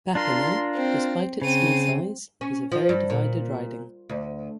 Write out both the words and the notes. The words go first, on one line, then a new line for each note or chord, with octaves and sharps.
Papineau, despite its small size, is a very divided riding.
D4 F4 A#4 C6
C4
C#3 C4 D#7
C#4
F3
G2
A#2
D2